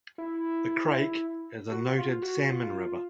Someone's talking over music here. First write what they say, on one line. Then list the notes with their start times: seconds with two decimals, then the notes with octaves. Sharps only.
The Crake is a noted salmon river.
0.18 E4
1.72 F#4
1.98 F4
2.22 F#4
2.49 F4